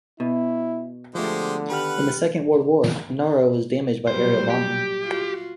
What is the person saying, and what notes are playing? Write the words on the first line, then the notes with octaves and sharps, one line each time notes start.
In the Second World War, Naro was damaged by aerial bombing.
B2 E4
D3 F3 G#3 A3 G4 C5
D#3 G4 B4 F#5 F6
A#2 F#3 G3 C5
G4
F4 F#4